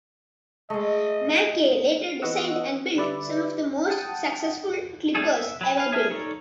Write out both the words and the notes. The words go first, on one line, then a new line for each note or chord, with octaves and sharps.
McKay later designed and built some of the most successful clippers ever built.
G#3 A3 D#5
E3 B3 F#4 D#5 F#5 E6
D3 G3 B4 D5 E5
F#5 G5 A5 D#6
G3 A3 D4 G#4 A4
E5
F#3 B5
B4 F5
G#4 E5 A5 F6
D#4 A4 A#4 C#5 D5